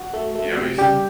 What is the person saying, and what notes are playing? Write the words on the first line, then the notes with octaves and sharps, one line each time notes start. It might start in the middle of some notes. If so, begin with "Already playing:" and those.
you know, he's,
Already playing: F#4
A3
A3
C3
C#3 G3 G4